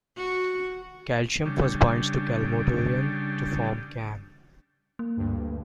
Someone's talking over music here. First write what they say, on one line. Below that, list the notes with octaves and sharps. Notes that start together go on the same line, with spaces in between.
Calcium first binds to calmodulin to form CaM.
F#4
C#3 G3 D4
A#3
D2 G2